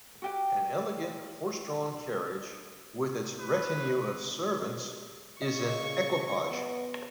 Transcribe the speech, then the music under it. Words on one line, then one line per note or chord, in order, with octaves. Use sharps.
An elegant horse-drawn carriage with its retinue of servants is an "equipage".
F#4 G4 G5
B4
C#3 D#5 C#6
B3